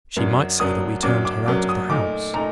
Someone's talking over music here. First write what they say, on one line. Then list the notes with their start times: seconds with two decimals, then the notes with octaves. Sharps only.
She might say that we turned her out of the house.
0.17 F#2 F#3 A#3 D4
0.60 F#2 F#3 A#3 D4 D#6
1.03 F#2 F#3 A#3 D4 D6
1.25 D6
1.46 F#2 F#3 A#3 D4 D6
1.69 D#6
1.90 A#2 A3 D#4 D6
2.34 A#2 A3 D#4 A#5